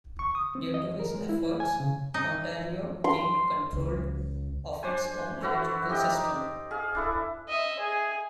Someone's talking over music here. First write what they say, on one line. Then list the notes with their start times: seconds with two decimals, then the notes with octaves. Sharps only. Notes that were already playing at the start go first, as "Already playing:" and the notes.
Due to his efforts, Ontario gained controlled of its own electrical system.
0.19 C#6
0.35 D#6
0.55 C4
0.74 D#5
1.00 A#4
1.15 G#3
1.29 E4
1.60 G#5
1.80 C#3
2.14 D#4
3.04 C6
3.73 C#2
4.83 D4 C5 G#5
5.41 E4 F#4 A4 C5
5.89 D4 G4 D#5 G5
6.09 D#4
6.71 G#4 F5
6.95 D4 E4 A4
7.49 D#5 E5
7.80 G#4